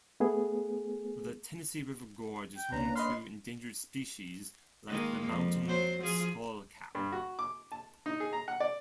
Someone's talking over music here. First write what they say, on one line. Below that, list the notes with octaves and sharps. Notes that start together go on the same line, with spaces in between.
The Tennessee River Gorge is home to endangered species like the mountain skullcap.
A3 B3 G#4
G5
C#2 A#3 C#4 D4 B4 A#5
D#5 B5 C6 F6
D#3 G#3 A#3
F2
F#3 C5
F3 F4 G#4
G2
F#4
D6
A5
D#4
G#4
A#5
F#5
D5